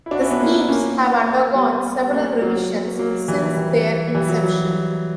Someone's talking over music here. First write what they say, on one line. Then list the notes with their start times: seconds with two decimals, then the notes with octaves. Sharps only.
The schemes have undergone several revisions since their inception.
0.06 E4
0.11 D4 F#4
0.21 C#4 E4
0.31 B3 D4
0.40 A#3 C#4
0.69 A#3 C#4
1.55 G3 B3
2.13 A#3 C#4
2.42 F#3 A#3
2.56 F#3
2.99 F#3 A#3
3.28 E3 G3
3.57 E3 G3
4.14 E3 G3
4.29 F#3
4.43 F#3